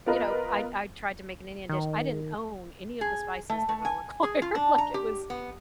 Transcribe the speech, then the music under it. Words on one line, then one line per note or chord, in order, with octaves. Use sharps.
you know I I tried to make an Indian dish. I didn't own any of the spices that were required, like, it was
B3 F4 A#4 B4 D#5 A#5
D#3
G#4
A3
A3
G#5
G#4
F4
D4
A#5
G4
B3